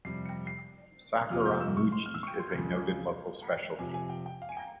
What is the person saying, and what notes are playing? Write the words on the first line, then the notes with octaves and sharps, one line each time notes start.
"Sakuramochi" is a noted local specialty.
F2 C3 G3 C7
C#7
C7
F2 C3 F3 A#3 F4 F6
F6
G6
E6
C#6
C6
F6
E6
C#6
C6
C#2 C#3 F3 G#3
F2 C3 F3 G#5
G#5
G5
G5
F5
G#5
G5